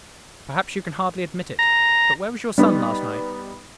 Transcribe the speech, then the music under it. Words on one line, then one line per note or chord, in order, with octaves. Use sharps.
Perhaps you can hardly admit it; but where was your son last night?
A#5
G3 B3 D#4